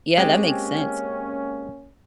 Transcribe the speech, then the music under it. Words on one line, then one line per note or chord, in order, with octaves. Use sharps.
Yeah, that makes sense.
G#3 A#3 C4 C#4 G4